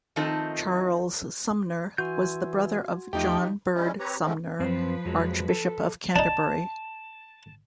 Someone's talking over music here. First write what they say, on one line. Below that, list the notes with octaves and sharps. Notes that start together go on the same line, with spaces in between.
Charles Sumner was a brother of John Bird Sumner, Archbishop of Canterbury.
D#3 F3 A3 C4 D#4 A5
E3 F#4 G#5 C6 G6
E2 F3 A3 D#4 G4 G5
G3 G#3 C#4 E4
C4 G4 B4 C#5 A#5
D3 D#3 G#3 A3 C4 C#4
F#2 F3 C4 B4 C5
F2 F#3 G#3
A4
D4 D#4 A5